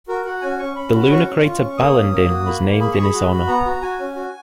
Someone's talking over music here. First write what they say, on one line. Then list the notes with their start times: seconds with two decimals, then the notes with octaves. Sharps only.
The lunar crater Balandin was named in his honour.
0.08 F#4 A#4
0.25 F#4 F#5
0.41 C#4 G#5
0.59 C#4 C#6
0.76 C#4 B5
0.93 F#4
1.10 C#4 C#6
1.27 C#4
1.43 F4
1.61 C#4
1.78 A#3 D#6
1.94 C#4
2.12 A#3
2.29 F#4
2.46 A#3 B5
2.63 A#3
2.80 G#4 B5
2.92 C#6
2.97 G#4
3.03 B5
3.13 F#4
3.31 F#4
3.47 B3 A#5
3.65 F#4
3.82 F#4 G#5
3.99 C#4
4.16 F#4